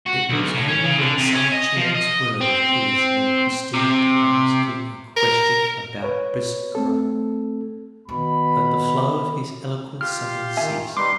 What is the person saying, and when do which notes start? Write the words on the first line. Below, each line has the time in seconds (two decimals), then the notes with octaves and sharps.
It was only when some chance word of his led Christina to ask him a question about Biskra, that the flow of his eloquence suddenly ceased.
0.06 F#4
0.29 B1
0.55 A2
0.68 C#4
0.84 C#3
0.98 D3
1.18 C3
1.34 C#4
1.52 D#5
1.77 F3
1.94 D#5
2.41 C4
3.74 C3
5.16 A#4
6.03 B4 C#5
6.75 A3 C4 A4
8.09 B2 D#3 B5
10.01 F4 G4 C6 F6
10.57 D#3 E5 G#5
10.97 G3 D#4 B4 C6 D6